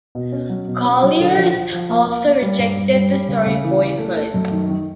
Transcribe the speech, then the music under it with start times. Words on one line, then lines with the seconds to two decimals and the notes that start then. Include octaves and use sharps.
Collier's also rejected the story Boyhood.
0.15 B2
0.32 C#4
0.49 F#3
0.68 B2
0.85 C#4
1.03 F#3
1.20 D3
1.36 F3
1.54 F3
1.72 F3
1.89 A#3
2.07 A#3
2.25 A#3
2.42 G3
2.59 G2
2.77 G2
2.94 G3
3.12 G3
3.28 C#3
3.47 C#3
3.64 E3
3.81 E3
3.98 A3
4.16 A3
4.34 F#2
4.51 D#3
4.69 D#3